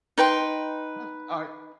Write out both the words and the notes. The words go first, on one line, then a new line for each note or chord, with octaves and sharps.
Well, I
D#4 B4 G5 C6